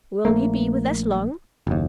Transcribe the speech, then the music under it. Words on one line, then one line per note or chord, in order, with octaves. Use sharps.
"Will you be with us long?"
A#1 A3 A#3
F#1 D#2